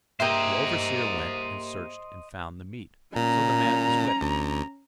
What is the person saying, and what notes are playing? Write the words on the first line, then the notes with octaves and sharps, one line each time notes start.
The overseer went and searched and found the meat, so the man was whipped.
A#3 G4 C5 D#5 E5
A#2 C#4 A#5
D2